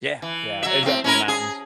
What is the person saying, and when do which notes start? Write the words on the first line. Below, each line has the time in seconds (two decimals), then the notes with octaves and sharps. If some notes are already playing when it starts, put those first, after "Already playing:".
Yeah, yeah, it's up in the mountains
0.22 E3
0.63 F#3 E5
0.83 A2 C4
1.04 C#4 E4 A#4
1.28 G#4